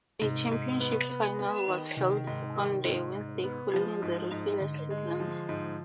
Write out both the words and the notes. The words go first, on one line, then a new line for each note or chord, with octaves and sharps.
A Championship Final was held on the Wednesday following the regular season.
G#2 C3
G#2
B3
B3
B3
D#3
C3 D#3
G#2
D#3
G#2
G#2
B3
F3
G#2
G#2
G#2 D3
G#3
F3
G#2